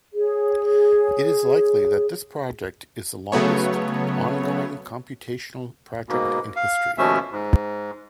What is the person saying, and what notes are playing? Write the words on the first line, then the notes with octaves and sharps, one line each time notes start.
It is likely that this project is the longest, ongoing computational project in history.
G#4 C#5
C#3 F#3 A3 B3 C#5
G#2 B2 A#3
F5
D#2 B2 F3 A3 C#4 E5
G#2